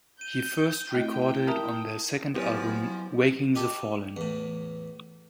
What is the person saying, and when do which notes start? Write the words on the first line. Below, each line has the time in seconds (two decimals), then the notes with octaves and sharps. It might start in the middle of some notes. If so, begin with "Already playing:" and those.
He first recorded on their second album "Waking the Fallen".
0.21 G6 D#7
0.94 A3 C4 E4 D#5 G5
1.47 A#4 E5 A5 A#5 D#6
2.34 F2 F3 F#3 B3 E4 G4 G#5
3.55 D#4 G4 A4
4.17 E2 A2